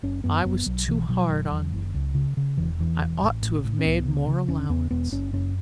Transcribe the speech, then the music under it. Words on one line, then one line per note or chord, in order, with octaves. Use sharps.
I was too hard on you--I ought to have made more allowance.
F#1 C#4
F#2 B3
F#1 B3
B1 F#3
B2 E3
B2 F#3
F#1
E2
F#1
C#2
C#3
C#3
E1 E3
E2 E3
E1
A1
A2
A2
C#4
C#2 B3
C#3
C#3
E1 C#4
E2 B3
E1 B3
F#1 C#4
F#2 C#4